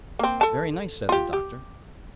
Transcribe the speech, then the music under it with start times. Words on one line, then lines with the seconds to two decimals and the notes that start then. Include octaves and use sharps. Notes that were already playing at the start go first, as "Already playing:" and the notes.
"Very nice," said the Doctor.
0.19 A#3 C4
0.41 A4 A5
1.09 F4 G4
1.33 G4